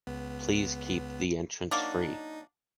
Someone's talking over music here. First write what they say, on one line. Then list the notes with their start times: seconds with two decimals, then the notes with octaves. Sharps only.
Please keep the entrance free.
0.07 C#2 B3
1.71 F#3 A#3 D4 D#4